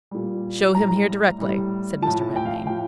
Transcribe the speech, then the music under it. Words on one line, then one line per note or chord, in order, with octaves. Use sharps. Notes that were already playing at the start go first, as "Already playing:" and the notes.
"Show him here directly," said Mr. Redmain.
A#2 G3
A2 G3 A#5
A2 G3
A2 F3 A5
G5
F5
A2 F3 G5